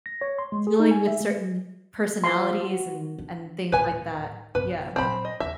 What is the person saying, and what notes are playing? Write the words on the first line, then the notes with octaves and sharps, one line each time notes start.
dealing with certain personalities and and things like that. Yeah.
A#6
C#5
C6
G#3
G#4
D#4
G#5
E5
G#3
F3 C6
F#4
D4
D#1 A2 B4 G#5
B1 G2 B4
A#2 F#3 C4 B5
D#5
D#2 E5